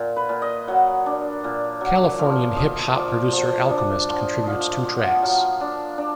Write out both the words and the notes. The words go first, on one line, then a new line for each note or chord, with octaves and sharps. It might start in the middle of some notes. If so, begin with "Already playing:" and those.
Californian hip-hop producer Alchemist contributes two tracks.
Already playing: A#2
B4
A#2
D#5
F#3 F#5
D4
A#2
F#3
F3 F5
F3 D#5
F3 D5
F3
D4
F3
F3 D#5 F5
F5
F3
F#5
F#3 F5
D4
D4